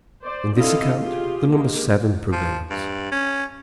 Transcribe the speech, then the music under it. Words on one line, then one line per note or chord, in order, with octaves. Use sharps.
In this account the number seven prevails.
C5 D5
D3 C4 E4 A4 D#5 F5
F4 G4 G#4
G#3 A#3 G4
F3
G2
C#4